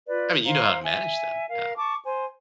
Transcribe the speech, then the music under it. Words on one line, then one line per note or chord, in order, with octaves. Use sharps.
I mean, you know how to manage them, yeah.
F4 B4 D5
C5 F5 A#5
E5 G#5
A#4 F5
A5 C#6 D6
C5 G#5